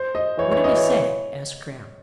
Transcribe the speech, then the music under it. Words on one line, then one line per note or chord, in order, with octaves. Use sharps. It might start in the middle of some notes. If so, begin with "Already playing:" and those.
"What did he say?" asked Graham.
Already playing: C5
D#5
E3 C#5
C#5
D#5
C#5
C#5